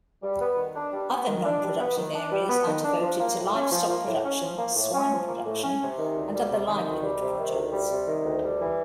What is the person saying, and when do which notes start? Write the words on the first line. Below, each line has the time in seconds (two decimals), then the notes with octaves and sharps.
Other non-productive areas are devoted to livestock production, swine production and other livelihood projects.
0.23 G3
0.41 B3
0.58 D#3
0.76 D4
0.92 G3
1.10 B3
1.28 D#3
1.45 D4
1.62 G3
1.80 B3
1.97 D#3
2.15 D4
2.32 G3
2.50 B3
2.67 D#3
2.85 D4
3.02 F3
3.20 A#3
3.37 A2
3.55 C#4
3.72 F3
3.90 A#3
4.07 A2
4.25 C#4
4.42 F3
4.59 A#3
4.76 A2
4.94 C#4
5.12 F3
5.28 A#3
5.46 A2
5.64 C#4
5.81 C3
5.98 D#3
6.16 D2
6.33 G3
6.51 C3
6.68 D#3
6.86 D2
7.03 G3
7.21 C3
7.38 D#3
7.55 D2
7.73 G3
7.91 C3
8.08 D#3
8.25 D2
8.42 G3
8.61 E3